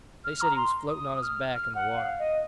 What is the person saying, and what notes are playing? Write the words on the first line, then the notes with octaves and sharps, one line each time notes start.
They said he was floating on his back in the water.
F6
A#5
C6
D#6
F6
F6
F#5
F5
D#5